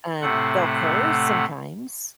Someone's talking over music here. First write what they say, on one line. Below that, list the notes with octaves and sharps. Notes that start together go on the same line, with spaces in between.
Um, they'll purr sometimes
A2 C3 A3 F#5